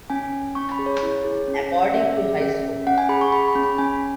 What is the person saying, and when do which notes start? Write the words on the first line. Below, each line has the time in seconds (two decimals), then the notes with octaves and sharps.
According to High Score!
0.10 C#4 G#5
0.33 C#4
0.55 C#4 C#6
0.72 B5
0.79 G#4
0.86 C#5
1.02 E4
1.24 G#4
1.48 C#4
1.72 C#4
1.94 C#4 E5
2.17 G#4
2.40 C#4
2.63 C#4
2.87 C#4 F#5
2.98 G#5
3.09 G#4 B5
3.21 C#6
3.32 G#4 B5
3.48 B5
3.55 C#4
3.63 B5
3.78 C#4 G#5